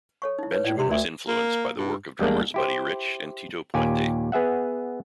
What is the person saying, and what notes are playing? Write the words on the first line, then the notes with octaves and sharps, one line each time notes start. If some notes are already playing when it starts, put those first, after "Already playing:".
Benjamin was influenced by the work of drummers Buddy Rich and Tito Puente.
A4 C#5 C#6
D#4 E4
B4 C#5
A2 D5
C3 G4 D5 C6
D2 A#4 D5 E5
A#3
G2
E2 G3 G#3 A#3 D4
E4 G4 C5
D#2 A#2 G4 G#5
B3 G#4 E5 F#5